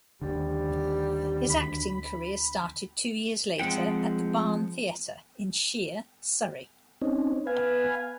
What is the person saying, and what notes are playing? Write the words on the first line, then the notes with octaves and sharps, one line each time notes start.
His acting career started two years later at the Barn Theatre in Shere, Surrey.
D#2 D3 G3
D2 B5
F3 G#3 C4 F#5 G5
C4 C#4 D#4
B3 B4 F5 G#5